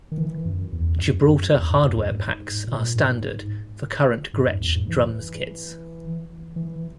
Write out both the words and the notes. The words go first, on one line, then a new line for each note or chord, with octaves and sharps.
Gibraltar hardware packs are standard for current Gretsch Drums kits.
D#3
E3
F#2
E2
F#2
F#2
E2
G#2
F#2
G#2
F#2
G#2
A#2
G#2
G#2
G#2
F#2
E2
G#2
E3
E3